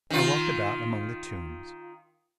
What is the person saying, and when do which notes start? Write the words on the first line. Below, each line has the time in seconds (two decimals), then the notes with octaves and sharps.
I walked about among the tombs.
0.10 D#3 F4